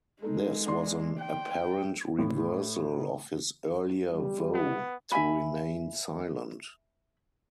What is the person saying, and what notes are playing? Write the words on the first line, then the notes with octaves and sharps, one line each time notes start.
This was an apparent reversal of his earlier vow to remain silent.
G#3 D#4 A4
D5 C6
G5
A2
G3
B3
E5 F#5 G#5 B5